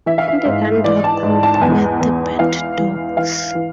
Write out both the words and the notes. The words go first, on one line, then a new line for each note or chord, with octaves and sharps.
In the "gundog" group were the birddogs.
E3 E5
F5
E5
G#2
E3 D5
A5
G#2
A5
A5
E2 G#5
E2
E3 F5
E3
E3 F5
E3